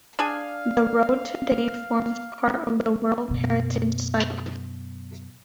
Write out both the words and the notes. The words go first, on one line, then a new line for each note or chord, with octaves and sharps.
The road today forms part of the World Heritage Site.
D4 G#4 F5 G#5
F#2 B2